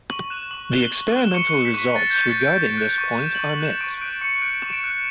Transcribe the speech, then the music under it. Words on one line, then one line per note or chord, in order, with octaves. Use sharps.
The experimental results regarding this point are mixed.
C#6 F#7
F#6 E7
C#6 F#7
F#6 G7
C#6 F#7
F#7
F#6
E7
C#6 C#7
F#6
B6
C#6
F#6 A6
G6
C#6
A6
F#6 D7
C#6
F#6
C#6
F#6 E7
C#6 F#7
F#7
F#6 E7
C#6 D7
F#6 D7
C#6 C#7
F#6 D7
C#6 E7
D7
F#6